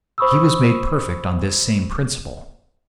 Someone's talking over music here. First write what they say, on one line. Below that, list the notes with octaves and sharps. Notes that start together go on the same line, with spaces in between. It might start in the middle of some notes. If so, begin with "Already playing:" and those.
He was made perfect on this same principle.
C5 B5 C#6 D#6 E6